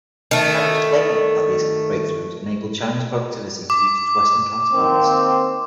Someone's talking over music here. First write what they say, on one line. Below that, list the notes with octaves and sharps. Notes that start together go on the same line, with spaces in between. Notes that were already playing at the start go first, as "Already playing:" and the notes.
China has claimed that these breakthroughs enabled Chinese productivity to reach its western counterparts.
D#3 A3
D6
D#3 A#3 C4